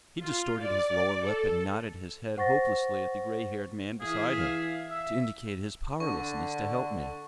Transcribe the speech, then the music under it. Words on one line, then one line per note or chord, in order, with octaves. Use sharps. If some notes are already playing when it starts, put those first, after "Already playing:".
He distorted his lower lip, and nodded his head hopelessly at the grey-haired man beside him, to indicate his powerlessness to help me.
F4
D5
A4
C5 F#5 C#6 A6 A#6
E3 G#4 E5 F5
E5
D3 C#6